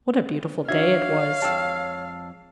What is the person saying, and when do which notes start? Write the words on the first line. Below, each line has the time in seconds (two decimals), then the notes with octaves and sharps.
What a beautiful day it was!
0.68 D4 D#4 F#4 C#5 E5 F5 G#6
1.42 F2 G#3 G5 A5 E6